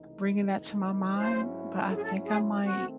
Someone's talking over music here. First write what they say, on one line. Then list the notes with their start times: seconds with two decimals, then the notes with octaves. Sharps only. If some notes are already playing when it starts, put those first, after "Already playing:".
bringing that to my mind, but I think I might,
Already playing: C#2 C3 E3 A3 D#4
1.17 G#2 F#3 C#4 E4 C5
1.89 A4
1.96 G#4
2.04 A4
2.26 G#4
2.62 D#3 A3 C4 F#4